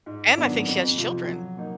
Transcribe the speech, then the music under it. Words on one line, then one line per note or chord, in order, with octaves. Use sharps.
And I think she has children.
G#2
D#3 F#3 B3 D4
F2
C3 F3
F#3
A#3 D#4